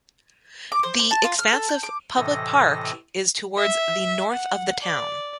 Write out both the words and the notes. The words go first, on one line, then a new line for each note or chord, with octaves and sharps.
The expansive 'Public Park' is towards the north of the town.
D6
C5
C5
A5
F4
F6
A4
G6
D6
A2 C3 E3 A4 D#5 A#6
E5
F#5
D5